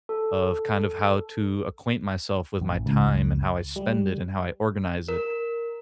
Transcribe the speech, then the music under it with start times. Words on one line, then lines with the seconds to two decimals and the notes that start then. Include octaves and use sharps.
of kind of how to acquaint myself with my time and how I spend it and how I organize it.
0.09 A4
2.62 A1
2.86 C#2
3.76 G3
5.08 A#4